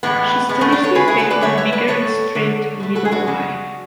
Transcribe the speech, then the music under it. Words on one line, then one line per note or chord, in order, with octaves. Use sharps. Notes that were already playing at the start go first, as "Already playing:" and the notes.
She studiously affected the vigour and strength of middle life.
A2 E3 G#3 B3
A2 G#3 B3
A3 C#4
B3 D4
A4 C#5
C#3 G#3 G#4 B4
E4 G#4
F#4 A4
B4 D5
D3 F#3 A3 C#5 E5
C#5 E5
B4 D5
A2 E3 A3 A4 C#5
D3 F#3 A3
B2 A3
F#4 A4
G#4
D4 F#4
C#3 G#3